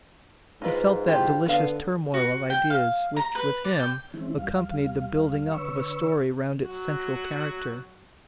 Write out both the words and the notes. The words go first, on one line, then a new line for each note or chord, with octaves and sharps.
He felt that delicious turmoil of ideas which with him accompanied the building up of a story round its central character.
G#2 D#4 F4 B4
E4 F4 G4
D3 B3 F5
F#4
G5
F5
A#5
B4
D5
G5
D#3 E3 G#3 C4 C#4 E4
D#2 G3 F5
D3 B4 C#5 C#6 E6
F#3 F#4